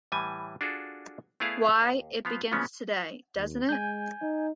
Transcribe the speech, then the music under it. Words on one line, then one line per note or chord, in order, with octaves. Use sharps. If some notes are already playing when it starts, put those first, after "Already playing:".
Why, it begins today, doesn't it?
A2 E3 G3 G#5
D4 F4 F#4 G#4 A4
A3 B3 E4 G#4 D5 F5
D#2
F3 B3 F5
C#3 E3 F3 G#3 B3 C#4
D#2
G#3 G#5 G6
D#4